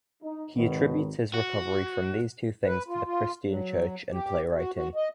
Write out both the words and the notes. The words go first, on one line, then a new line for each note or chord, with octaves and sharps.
He attributes his recovery from these two things to the Christian church and playwriting.
D#4
G#1 B2 D#3
F#4
B4
F4
F4
F#3
G4
F#4
F#4
D#5